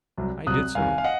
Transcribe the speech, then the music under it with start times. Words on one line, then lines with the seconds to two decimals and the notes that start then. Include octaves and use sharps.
I did so.
0.17 C2 C3 F#3
0.47 C2 C3 F#3 D#6 F#6
0.75 C2 C3 D#3 F5 G#5
0.98 F5
1.04 D#5 F#5